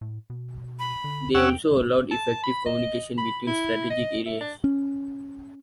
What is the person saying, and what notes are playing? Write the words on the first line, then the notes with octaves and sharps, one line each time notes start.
They also allowed effective communication between strategic areas.
A2
B2
B5
D3
E2 C#4 F#5 G5 E6
A5
B5
D#5
B5
E4
D#5
E5
D4
C#4